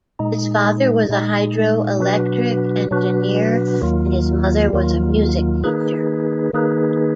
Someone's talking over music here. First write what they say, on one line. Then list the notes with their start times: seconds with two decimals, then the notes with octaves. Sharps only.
His father was a hydroelectric engineer and his mother was a music teacher.
0.19 A#2 G#3 D#4
1.09 A#2 G#3 D#4
2.00 B2 F#3 D4 F#4 B4
2.91 B2 F#3 D4 F#4 B4
3.82 D#2 D#3 F#3 A#3 F4
4.73 D#2 D#3 F#3 A#3 F4
5.64 D#3 A#3 D#4 G#4 B4
6.53 D#3 A#3 D#4 G#4 B4